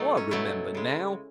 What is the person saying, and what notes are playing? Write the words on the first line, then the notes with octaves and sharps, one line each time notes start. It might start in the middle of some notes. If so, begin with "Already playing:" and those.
I remember now!
Already playing: B2 F#3 A3 D#4
C#4
B2 F#3 A3 E4
C#3 G#3